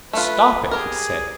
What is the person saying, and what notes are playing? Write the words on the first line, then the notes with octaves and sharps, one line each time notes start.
"Stop it," he said.
A3 F4 B4
G4 G#4 A#4